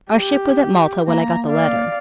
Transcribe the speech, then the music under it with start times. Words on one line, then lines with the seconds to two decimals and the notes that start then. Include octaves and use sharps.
Our ship was at Malta when I got the letter.
0.11 G4
1.08 A#3 A#5
1.49 D5 F5